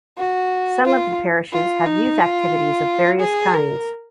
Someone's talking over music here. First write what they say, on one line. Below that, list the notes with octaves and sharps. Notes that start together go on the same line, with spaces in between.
Some of the parishes have youth activities of various kinds.
F#4
F4
F4
D#4
F4
G#4
A#4